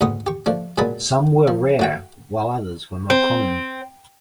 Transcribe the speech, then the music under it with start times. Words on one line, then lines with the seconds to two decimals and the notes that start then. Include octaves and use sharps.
Some were rare, while others were more common.
0.01 D2 G#2 B3 C#6 D#6
0.27 G4 C#6
0.46 F3 A3 D4
0.78 A#2 F#3 G#3 B3 A5 B5
1.48 F3
1.79 A3 F#4 G5
3.10 C4